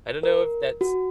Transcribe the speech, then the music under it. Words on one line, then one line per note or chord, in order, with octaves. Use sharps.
I don't know if that's
A#4
F#4